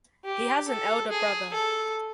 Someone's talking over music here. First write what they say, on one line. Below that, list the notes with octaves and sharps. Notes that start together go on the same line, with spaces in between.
He has an elder brother.
G4
A4
G#4
A4